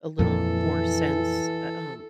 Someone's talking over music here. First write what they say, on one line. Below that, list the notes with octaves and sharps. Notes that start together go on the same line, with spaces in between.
a little more sense, eh, um,
F2 A#2 E3 A4